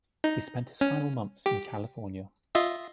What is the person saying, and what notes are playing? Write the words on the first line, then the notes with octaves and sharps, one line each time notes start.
He spent his final months in California.
D#4
C#4
G4
F4 D#5 E5